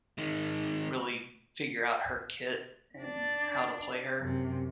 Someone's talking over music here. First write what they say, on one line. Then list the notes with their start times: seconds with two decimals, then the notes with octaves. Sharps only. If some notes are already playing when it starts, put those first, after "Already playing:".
really figure out her kit and how to play her.
0.18 D#3 G#3
3.02 D4
4.19 F#2 C3